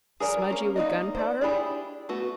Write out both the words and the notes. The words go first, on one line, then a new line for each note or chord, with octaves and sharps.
Smudgy with gunpowder?
G#4 A#4 D5 A#5
A#3 C#4
A#3 D#4 F#4 D5 D#5
C5 D5
D4 E4 G4 G#4 D5
A3 B3 F#4